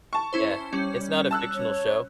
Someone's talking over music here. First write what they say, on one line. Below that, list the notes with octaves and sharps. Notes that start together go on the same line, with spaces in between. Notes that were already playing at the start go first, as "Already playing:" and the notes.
Yeah, it's not a fictional show.
A5 C#6
C#4 E4 C5
G3 C#4
A5 E6 F#6
C#5